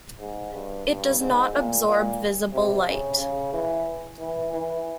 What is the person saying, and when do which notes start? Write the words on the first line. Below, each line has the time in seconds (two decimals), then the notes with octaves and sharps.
It does not absorb visible light.
0.19 G#2
0.53 G2
0.86 G2
1.19 G#2
1.53 A#2
1.86 A#2
2.53 C3
2.86 C#3
3.20 C#3
3.53 E3
4.19 E3
4.53 E3